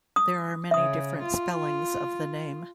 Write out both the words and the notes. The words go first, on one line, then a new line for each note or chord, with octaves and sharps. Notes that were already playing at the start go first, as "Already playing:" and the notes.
There are many different spellings of the name.
D#6
C#3 E5 D#6
F4